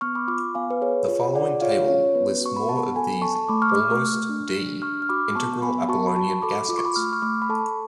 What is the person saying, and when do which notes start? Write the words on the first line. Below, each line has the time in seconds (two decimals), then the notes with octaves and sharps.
The following table lists more of these "almost"-"D" integral Apollonian gaskets.
0.01 B3 C#6 F6
0.15 B5 D6
0.28 F4 B5 D6
0.55 B3 F5 G#5
0.71 B4
0.82 G#4 C#5
1.08 F4 C#5
1.35 G#4 D5 F#5
1.61 F4 C#5 F5
1.88 C#4 C#5
2.15 B3 B4
2.41 F#4 C#6
2.56 B5
2.68 B3 F#5 A5
2.95 A4 G#5 B5
3.22 A4 A5 C#6
3.36 A5 C#6
3.49 A3 B5 D6
3.62 C#6 F6
3.69 D6
3.75 A3 C#6 F6
4.03 A3
4.29 D4
4.55 D4
4.82 D4 C#6 F6
5.02 F6
5.09 F#4 B5 D6
5.35 B3 A5 C#6
5.62 B3 G#5 B5
5.89 F#4 A5 C#6
6.06 B5
6.16 F#4 A5 C#6
6.42 A4 B5 D6
6.69 F4 D6
6.78 C#6
6.85 B5 D6
6.96 A3 F6
7.13 C#6 F6
7.22 A3 B5 D6
7.42 B5
7.49 A4 A5 C#6